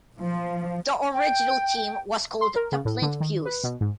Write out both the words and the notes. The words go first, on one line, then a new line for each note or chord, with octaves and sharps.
The original team was called the Flint Fuze.
F3
G5
C6
A#4
C#3
A2
D3
D#3
B4
B2
G#2